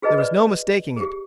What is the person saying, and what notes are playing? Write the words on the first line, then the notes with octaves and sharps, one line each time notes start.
There was no mistaking it.
F#4 G#4 B4 D#5 A5
B4 D5
G4 G#4